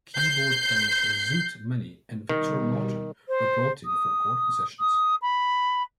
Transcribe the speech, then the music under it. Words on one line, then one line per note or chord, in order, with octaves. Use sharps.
Keyboard players Zoot Money and Victor Martin were brought in for recording sessions.
G6 C7
B2 D#3 G3
C5
D#6
D#6
B5